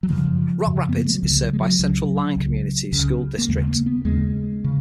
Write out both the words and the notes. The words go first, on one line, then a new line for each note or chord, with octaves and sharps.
Rock Rapids is served by the Central Lyon Community School District.
F#3
F#2 C#3 F3
F#2 C#3
B3
A#3
G#3
F#3
C#2 C#3 F3
F#3
G#3
F#3
C#2 C#3 F#3
C#2 C#3
C#2 C#3
A#3
D#2 C#3 G#3
A#3
B3
D#2 C#3 G#3
C#3